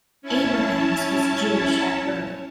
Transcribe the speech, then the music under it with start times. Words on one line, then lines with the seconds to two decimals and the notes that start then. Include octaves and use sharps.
Abrahams was Jewish at birth.
0.22 C#4 E4 C#5 A5